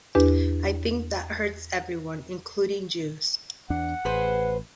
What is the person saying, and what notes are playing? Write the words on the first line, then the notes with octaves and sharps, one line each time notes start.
I think that hurts everyone, including Jews.
E2 D4 G4 B4
E2 D4 F#5
A1 G#4 B4 C5